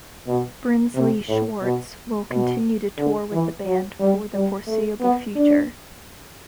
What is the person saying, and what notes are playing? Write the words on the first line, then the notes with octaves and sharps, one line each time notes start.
Brinsley Schwarz will continue to tour with the band for the foreseeable future.
B2
C3
A2
B2
B2
D3
E3
F#3
G3
G3
A3
B3
D4